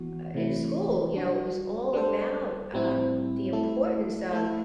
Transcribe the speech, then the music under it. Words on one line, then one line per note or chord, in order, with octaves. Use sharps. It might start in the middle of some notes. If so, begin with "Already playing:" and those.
uh, in school, you know, it was all about, um, the importance of
Already playing: E3 B3 F#4
C3 E3 A3 E4
G3 D4 F#4
G3 D4 A4 C5
A2 G3 C4 E4
A3 E4 A4
A3 E4 A4